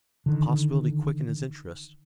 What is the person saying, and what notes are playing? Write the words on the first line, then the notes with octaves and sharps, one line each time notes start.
The possibility quickened his interest.
D3 D#3